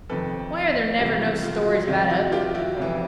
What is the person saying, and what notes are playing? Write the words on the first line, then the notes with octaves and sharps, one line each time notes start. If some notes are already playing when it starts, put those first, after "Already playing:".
"Why are there never no stories about ugly people?"
F2 C3 D#3 A4 B4
F1 E2 C3 E3 G3 F4
E4
F4
F#4
F4
F2 C3 D#3 F4
E4 F#4
F4 G4
E4 F#4
F1 F2 C3 E3